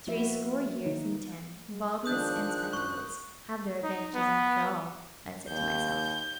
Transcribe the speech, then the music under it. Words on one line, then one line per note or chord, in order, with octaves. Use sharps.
"Three score years and ten, baldness, and spectacles, have their advantages after all!", I said to myself.
F3 A#3 B3 F#4 B4 E5
D#3 D#4
G#3
D#3 F3 D4 D#6 F#6 G6
F#2 C#6
D#4
B3
D#2 G6